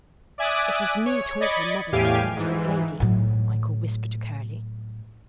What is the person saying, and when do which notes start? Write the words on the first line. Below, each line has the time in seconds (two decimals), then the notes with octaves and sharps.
'It was me told him mothers are called old lady,' Michael whispered to Curly.
0.38 D5 E5 G#5 D6 D#6 F#6
1.06 C#5
1.40 D5 D#5 B5 G#6 A6 C#7
1.92 E2 A2 G4 F5 G#5 D7
2.36 G#2 E3
3.00 A2 F#3